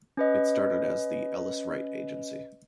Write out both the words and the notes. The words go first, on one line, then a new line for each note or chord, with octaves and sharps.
It started as the Ellis-Wright Agency.
C#4 B4 D#5